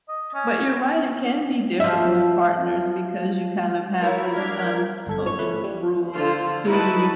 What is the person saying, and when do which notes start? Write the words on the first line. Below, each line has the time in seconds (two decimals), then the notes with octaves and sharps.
But you're right, it can be different with partners because you kind of have this un s spoken rule to,
0.09 D#5
0.34 C#4
1.80 F3 E5
4.00 E4 F#4 A#4 B4 C#5
4.31 G3 D4 A#4 F6 G#6 B6
5.07 G1 A4 G#6
5.26 C#4 C#5
5.39 A3 B4
5.64 G3
6.11 D3 F4 C5
6.66 D#4 E4 F#4 B4 A5